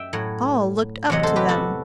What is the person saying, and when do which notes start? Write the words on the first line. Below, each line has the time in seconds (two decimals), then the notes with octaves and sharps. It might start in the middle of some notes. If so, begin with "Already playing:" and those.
All looked up to them.
Already playing: F#2 E5 G5
0.13 A2 F#3
1.10 E2 C3 F#3 D#5 F#5
1.23 A4 C5
1.36 G4 B4
1.48 F#4 A4